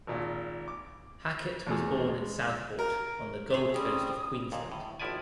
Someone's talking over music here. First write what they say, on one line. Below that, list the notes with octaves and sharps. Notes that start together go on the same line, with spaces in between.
Hackett was born at Southport on the Gold Coast of Queensland.
G#1 A#2
D6
E2 A3 G#4
G#3
A#4
A3 G#4
G3 C4 C#4 D#6
D#2 A#2
A2
G#1 A2 F3 E4 D5 G#5